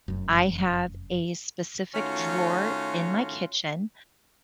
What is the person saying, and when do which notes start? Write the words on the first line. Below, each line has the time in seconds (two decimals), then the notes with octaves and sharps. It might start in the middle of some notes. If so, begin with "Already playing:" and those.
I have a specific drawer in my kitchen
0.08 F1 F#2
1.95 D#3 A3 C#4 F4 F#4